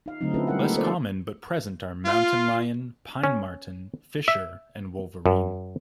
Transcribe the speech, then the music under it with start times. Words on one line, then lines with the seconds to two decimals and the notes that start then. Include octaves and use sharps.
Less common but present are mountain lion, pine marten, fisher, and wolverine.
0.06 D#4 F5
0.21 D3 F#3 A3 C4 D#4
0.34 C4 C#4 E4 F4 A4 B4
0.47 G3 E4 A#4 F5 F#5
0.59 G3 A3 A#3 D#4 G4 A4
0.74 A#3 C4 F4 A4 C5 D5
2.05 F4
3.24 C#4
4.28 E5
5.26 F#2